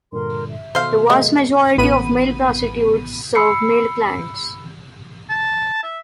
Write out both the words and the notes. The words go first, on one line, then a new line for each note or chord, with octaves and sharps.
The vast majority of male prostitutes serve male clients.
G2 A#2 D3 A#4 C6
E5
B2 D#3 A4 C5 F5
G#3 A#3
A1 B3 B5 D#7
B5 E6 C7 C#7
A5
E5